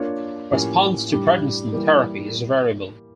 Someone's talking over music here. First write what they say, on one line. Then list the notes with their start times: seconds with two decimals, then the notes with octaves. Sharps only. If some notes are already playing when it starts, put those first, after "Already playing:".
Response to prednisone therapy is variable.
Already playing: A#3 D4 F4 C#5
0.51 A2 F3 A#3 C#4 G4
1.12 A2 G3 D4 G4
1.73 E3 G3 A#3